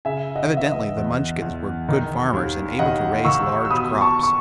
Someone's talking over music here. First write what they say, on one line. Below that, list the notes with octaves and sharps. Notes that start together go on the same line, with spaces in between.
Evidently the Munchkins were good farmers and able to raise large crops.
C#3 E5 G#5
D#5 F#5
E3
E5
D#5
E2
E2
D#3
D#2
D#2 D#5 F#5
D#3 C#6 E6
E6
B2 B5 D#6
A5 C#6
C#6